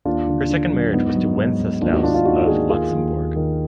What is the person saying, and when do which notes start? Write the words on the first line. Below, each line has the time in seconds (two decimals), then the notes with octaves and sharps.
Her second marriage was to Wenceslaus of Luxemburg.
0.05 D#2 D4 F4
0.28 D3
0.49 D3
0.72 F#3
0.93 G#2 B3 D#4
1.15 F#3
1.37 G#2
1.60 G#2
1.81 D#2 D4 F4
1.93 D#4 F#4
2.03 D#2 D4 F4
2.14 D4 F4
2.25 D#2 D#4 F#4
2.48 D#2 F4 G#4
2.70 D#3 F4 G#4
2.91 D#2
3.13 D#2
3.36 D#3